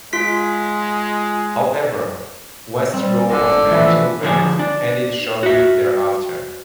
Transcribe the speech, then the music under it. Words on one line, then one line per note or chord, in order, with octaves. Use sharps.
However, West's role of managing Red ended shortly thereafter.
G#3 F4 B6
G3 C4
G1 D3
E3 F3 A3 B4 E5
D3 F3 G#4
D4
F#4 E5